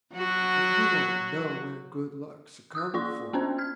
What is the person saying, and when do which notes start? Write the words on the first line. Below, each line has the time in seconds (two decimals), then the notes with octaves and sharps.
What you want to know when good luck's a-comin' for?
0.15 F#3 F#4
2.75 D#6 E6 F#6
2.94 A#3 F4 D5 C6
3.33 B3 C#4 D4 C5
3.58 F6 G#6